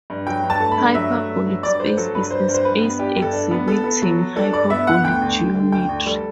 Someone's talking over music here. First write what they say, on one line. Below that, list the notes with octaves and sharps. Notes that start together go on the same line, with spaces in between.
Hyperbolic space is a space exhibiting hyperbolic geometry.
G2
F#3 G5
G2
A5
A3
B5
G2
F#3 E5
A3
G2
F#3
G2 D5
A3 C5
F#3 A4
G2 B4
D4 C5
G2
C5
G2 B4
B3
D4 G4
G2
A4
D4
B3
B3 A4
B3
F#3
F#3
D4 A4
G2 D5
B3 E5
B3 F#5
D2 G5
D2
D3
D3
D2 G5
D2
G3 A4